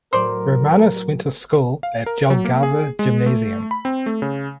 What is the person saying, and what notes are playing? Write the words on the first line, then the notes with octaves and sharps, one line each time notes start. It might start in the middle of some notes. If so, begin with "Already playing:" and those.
Romanas went to school at Jelgava Gymnasium.
A2 F#3 A#4 C5 D5
F5
A#4
F#3
A#3
G#4
G#3
A3
B5
C4
A3
C#3